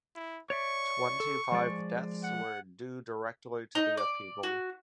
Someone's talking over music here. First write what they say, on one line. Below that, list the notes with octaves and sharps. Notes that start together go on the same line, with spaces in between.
Twenty-five deaths were due directly to the upheaval.
E4
C#5 D5 E5 C#6
A4
F3 G#3 D5
F#5
D#4
D5
F#4